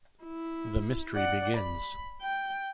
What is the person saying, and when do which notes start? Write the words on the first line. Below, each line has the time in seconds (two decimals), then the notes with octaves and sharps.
The Mystery Begins.
0.24 E4
1.16 D5 F#5
1.57 B5
2.22 G5